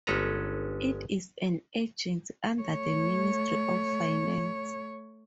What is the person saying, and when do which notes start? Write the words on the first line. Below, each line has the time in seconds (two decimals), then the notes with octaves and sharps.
It is an agency under the Ministry of Finance.
0.07 G1 G#3 C#4 A4 B4 A#5
2.62 A3 C#5